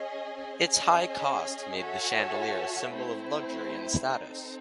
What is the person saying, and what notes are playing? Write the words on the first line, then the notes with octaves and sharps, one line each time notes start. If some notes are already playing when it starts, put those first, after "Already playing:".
Its high cost made the chandelier a symbol of luxury and status.
Already playing: C#4 G#4 D#5 G#5
C#4 G#4 D#5 G#5
F#4 A4 C#5 E5 G#5
A3 C4 E4 C5
C4 D#4 A4